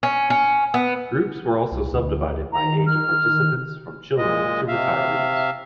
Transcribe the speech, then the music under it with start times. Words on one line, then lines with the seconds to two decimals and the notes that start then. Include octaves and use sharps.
Groups were also subdivided by age of participants, from children to retirees.
0.03 C#4
0.30 C#4
0.74 B3
1.72 C2
1.93 D2
2.53 D#3 A#5
2.87 F6
4.17 A#2 G#3 D#5
4.68 C3 E5 F5